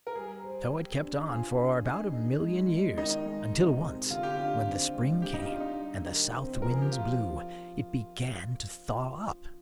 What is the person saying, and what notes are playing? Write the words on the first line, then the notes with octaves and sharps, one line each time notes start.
So it kept on for about a million years, until once when the spring came and the south winds blew, it began to thaw up.
A#4
G3 G#4
C5
G4
D4
F4 G#4
D4
D#4 G#4
D#4
G#3
G#3
D#3 D#4
G#3
C3
C3
D3 F4
G4
D4 F4
C4
G#3
D4 G4
D#4
F4
D4
D#4
G3
D#3
C4
F3 A#4
G#4
G4
F3 F4